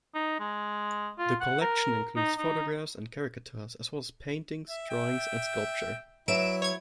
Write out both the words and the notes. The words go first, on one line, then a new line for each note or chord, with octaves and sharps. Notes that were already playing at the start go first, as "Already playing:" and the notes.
The collection includes photographs and caricatures as well as paintings, drawings and sculpture.
D#4
G#3
F4
F#5
A#4
D#4
D#4
E5
E5 G5
F#3 E4 B4 E5 D7 E7
C#5 G#6